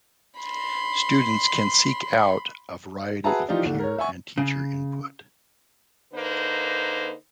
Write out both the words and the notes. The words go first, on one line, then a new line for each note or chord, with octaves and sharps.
Students can seek out a variety of peer and teacher input.
B5 C6
F#4 G#4 B4 E5 A5 A#5
E3 F3 D#4 F4 G4 D5
D#2 D3 A3
A#4 C#5
E5 F#5 G#5 C#6
C#3
D3 A#3 D#4 B4 C5